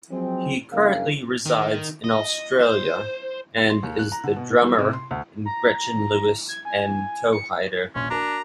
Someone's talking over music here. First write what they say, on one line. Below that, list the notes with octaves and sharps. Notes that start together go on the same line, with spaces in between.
He currently resides in Australia and is the drummer in Gretchen Lewis and Toehider.
F3 F#3 G#3 C4
F#1 G2 C#3 G#3 A#3 F5
D#3
D#5
C5
C6
D#2
F#6
A#5
D3
B2
E3
G3
C3
C6
D2
A#5
G#6
G#5
C#7
D#1 A#1 C#4 C6
D4 F#4 A#4 A5 A#5